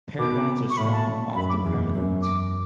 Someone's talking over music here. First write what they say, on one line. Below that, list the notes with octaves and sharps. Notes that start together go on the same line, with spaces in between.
Pair bonds are strong, often permanent.
B2 D6
C#6
A2 B5
A5
F#2 B5
D6
E2
F#2
D6